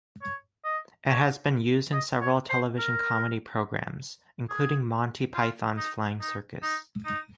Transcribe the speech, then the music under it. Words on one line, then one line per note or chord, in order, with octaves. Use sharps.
It has been used in several television comedy programmes, including Monty Python's Flying Circus.
C#5
D#5
C#5
D#5
C#5
C5
A#4
G#4
F4
D#4
D#4
D#4
D#4